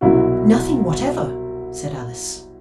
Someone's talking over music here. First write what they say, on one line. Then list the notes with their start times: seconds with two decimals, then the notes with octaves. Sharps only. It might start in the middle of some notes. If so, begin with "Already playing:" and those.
'Nothing whatever,' said Alice.
0.01 C2 B2 F#3 E4 F#4